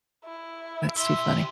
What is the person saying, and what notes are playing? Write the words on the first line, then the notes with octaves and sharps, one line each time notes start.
That's too funny.
E4
G3 E5 C6